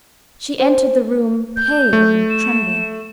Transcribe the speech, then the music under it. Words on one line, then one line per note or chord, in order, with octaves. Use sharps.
She entered the room--pale and trembling.
C5
G6
A3
E7